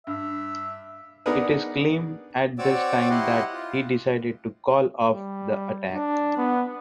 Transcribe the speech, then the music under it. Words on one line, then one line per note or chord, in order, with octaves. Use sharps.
It is claimed at this time that he decided to call off the attack.
G2 E5
B3 D4 D#4 G#4 A#4 B4
C4 F#4 C#5 D5 D6 E6
E4 G4 D#5 F#5 C6
F4
G3
D4
B3